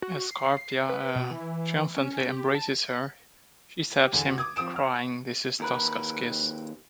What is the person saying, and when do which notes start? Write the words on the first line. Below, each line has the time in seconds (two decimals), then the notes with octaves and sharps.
As Scarpia triumphantly embraces her, she stabs him, crying "this is Tosca's kiss!".
0.02 F#4
0.31 C7
0.89 B4
1.15 B2
1.31 E3
1.97 C#4
2.29 G4
2.55 A5
4.00 G4
4.12 E2 D3 G#5
4.26 F#4
4.38 D6 D#6 G#6
4.56 F3 C4 D#6 D7 E7
4.76 F6
5.60 D#2 A#4 B4